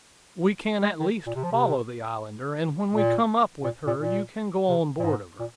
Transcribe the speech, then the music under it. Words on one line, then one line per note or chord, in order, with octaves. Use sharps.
"We can at least follow the Islander, and when we come up with her you can go on board of her."
G#3
D#3
A#2
C3
F3
C3
A#2
A#2
A#2
A#2
C3
A#2
G#2
A#2